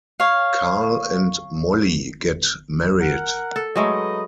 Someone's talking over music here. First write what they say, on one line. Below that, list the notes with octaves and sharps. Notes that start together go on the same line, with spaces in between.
Carl and Molly get married.
C#5 F5
A#4 F#5
A4
F#3 G#3 A3 D#4 B4 D#5